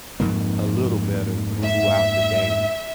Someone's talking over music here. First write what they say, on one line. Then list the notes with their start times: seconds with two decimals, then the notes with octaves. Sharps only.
a little better throughout the day,
0.20 F2 G#2 A#3
1.63 E5